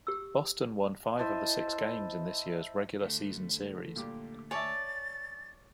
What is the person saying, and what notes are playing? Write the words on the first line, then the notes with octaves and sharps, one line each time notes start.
Boston won five of the six games in this year's regular season series.
G4 E6
E4 C5 D#5 A5
D3 A3
A#2 G3 G4
C#5 D5 E5 G#5 A5 A6